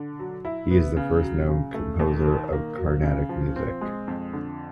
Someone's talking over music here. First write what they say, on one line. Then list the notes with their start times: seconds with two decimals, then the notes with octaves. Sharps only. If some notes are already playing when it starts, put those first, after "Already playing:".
He is the first known composer in carnatic music.
Already playing: D3
0.19 F#3
0.45 E4
0.70 B3
0.96 C#3
1.22 F#3
1.48 C#3
1.74 A3
2.00 D#2
2.26 D#3
2.53 A#3
2.78 F#3
3.03 C#3
3.29 F3
3.56 C4
3.81 G#3
4.08 F2
4.33 D3